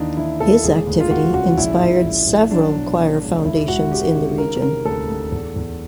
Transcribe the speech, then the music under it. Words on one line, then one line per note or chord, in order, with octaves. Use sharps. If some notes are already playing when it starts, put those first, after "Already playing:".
His activity inspired several choir foundations in the region.
Already playing: D#2 E3 D4 D#4
E3 E4
D#2 A4
E1 G#4
D2
F4
D2 F#4
C#3 F#4
A#1 E4
A#1
A#1
A#1
F#3 D4
B2
B2
C#2
E1 E4
E1 F#4
C#3 G4
C#3
D#3 A#4
C3 A#4
D2 A4
D2
E2
E2